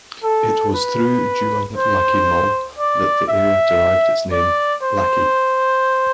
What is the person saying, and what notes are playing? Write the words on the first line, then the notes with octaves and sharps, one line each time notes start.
It was through Dewan Lakki Mull that the area derived its name 'Lakki'.
A4
B4
C5
D5
E5
D5
C5